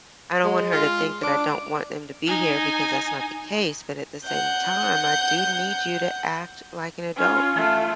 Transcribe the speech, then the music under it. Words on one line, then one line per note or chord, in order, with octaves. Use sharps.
I don't want her to think that I don't want them to be here because that's not the case, but at the same time, I do need you to act like an adult.
G#3
F4
D4 D6
D#4 G#5
F#5 G6
C#4 F4
A3 F4